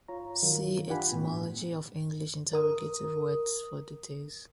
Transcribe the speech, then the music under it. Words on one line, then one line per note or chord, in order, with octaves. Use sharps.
See etymology of English interrogative words for details.
F4 C#5 A#5
D#3 F#3 F4 A#4
D4 F4 G4 F#5 G#5 B5
A2 B3
A#4 D#6